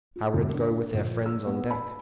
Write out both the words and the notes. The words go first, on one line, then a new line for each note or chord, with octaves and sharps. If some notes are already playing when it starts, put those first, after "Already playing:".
How would it go with their friends on deck?
F4
E1
D4
A#1
E6
B3
B5